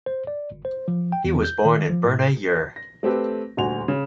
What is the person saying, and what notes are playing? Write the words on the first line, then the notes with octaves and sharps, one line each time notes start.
He was born in Bernay, Eure.
C5
D5
G1
C5
F3
G5
E2
G6
D#3
F3
A2
A#6
A3 C4 G4 A4 B4
D#1 D2 F#4 G#5 F7
C#3